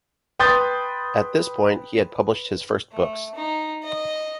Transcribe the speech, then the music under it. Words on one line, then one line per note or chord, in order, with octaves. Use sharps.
At this point he had published his first books.
B4 G5 C6 D#6 G6 A6
A3
D#4
D#5